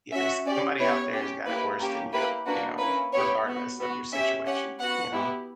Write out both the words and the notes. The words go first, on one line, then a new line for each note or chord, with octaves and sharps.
Yeah, there's somebody out there whose got it worse than you, you know, regardless of your situation, you know?
C#4 F#4 E5
C#4 G4 D5
B3 E4 G4 C#5
C#4 G4
A#3 E4 G4 B4
A#3 C#4 G4
A#3 E4 G4 B4
A#3 D4 F#4 B4
A#3 C#4 E4 B4
B3 E4 G4 C#5
B3 F#4
B3 F#4
C#4 G4 E5
C#4 G4 F#5
B3 F#4 F#5
B3 E4 G4